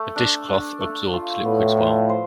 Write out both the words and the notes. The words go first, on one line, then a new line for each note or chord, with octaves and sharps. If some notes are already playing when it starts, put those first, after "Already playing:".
A dish cloth absorbs liquids well.
Already playing: A3
D4
D4
A3
F4
A2 B3
F3
C5